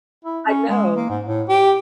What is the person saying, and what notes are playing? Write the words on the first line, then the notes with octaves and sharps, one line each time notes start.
I know.
E4
C#4
G#3
A#3
G#2
A2
G4